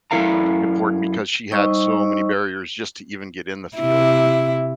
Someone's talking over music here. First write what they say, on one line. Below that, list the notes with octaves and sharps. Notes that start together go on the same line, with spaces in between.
important because she had so many barriers just to even get in the field.
F#2 G#3 E4 A4 F5 A#5
G3 D#4 C5 D#5 C#6 E6
C3 E4